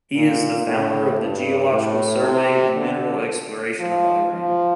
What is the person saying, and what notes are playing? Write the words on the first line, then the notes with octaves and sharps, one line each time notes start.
He is the founder of the Geological Survey and Mineral Exploration of Iran.
A#2
A2
G2
A2
C3
D3
F3
F3